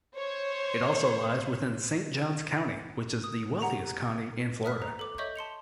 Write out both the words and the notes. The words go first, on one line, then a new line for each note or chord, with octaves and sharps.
It also lies within Saint Johns County, which is the wealthiest county in Florida.
C5 C#5
D#6
G4 F#5 A#5 F7
B4 E5 D#6 F6 F#6 B6
C5 A#5
A4 D6
A4 C#5 D#5 E5 C#6 G6
A5 C6 C#7 F7